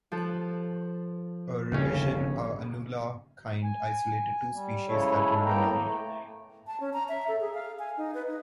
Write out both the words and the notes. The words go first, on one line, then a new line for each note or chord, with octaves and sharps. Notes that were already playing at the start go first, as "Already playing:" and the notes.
A revision a Inula kind isolated two species that were renowned.
F3 A4 F#6
G1 D#2 C#3 C#4
G#5
G3
C#3 F#3 G#3 E4 A4 C#5
A2 A#3 B3 G5 A#5
A3
A5
C#4
A#5
E5
A4
G#4
F5
G#5
D#4
B4
D#4